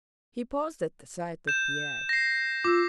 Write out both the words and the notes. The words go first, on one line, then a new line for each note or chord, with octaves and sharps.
He paused at the sight of Pierre.
G6 E7
A#6 C7
F4 D6 E6